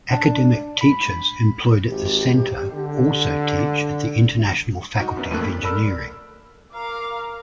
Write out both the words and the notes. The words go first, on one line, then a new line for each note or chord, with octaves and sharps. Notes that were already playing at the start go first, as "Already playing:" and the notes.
Academic teachers employed at the Centre also teach at the International Faculty of Engineering.
D4
B5
G#1 G4
D3
D#4 F#4
F#2 B3 D4
F2 A2 A3 A#3 A4 F#6
B6
A4 A#4 D5 B5 E6 F6
A#4 F5 A#5 D6